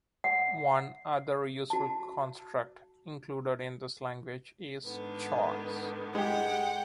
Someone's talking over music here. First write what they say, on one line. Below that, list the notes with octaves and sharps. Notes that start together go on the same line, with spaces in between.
One other useful construct included in this language is "choice".
F#5
F#4 A5
G#2 D3 D#3 B3
G#3 G4 F#5 G5